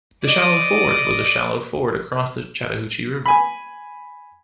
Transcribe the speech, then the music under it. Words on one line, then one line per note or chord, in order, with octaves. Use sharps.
The Shallow Ford was a shallow ford across the Chattahoochee River.
D5 D#5
G#5 B5